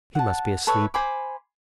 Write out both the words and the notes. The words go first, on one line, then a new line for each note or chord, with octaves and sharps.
He must be asleep.
F#5 A5
A4 B4 C#5 E5
C5 G#5 B5 D6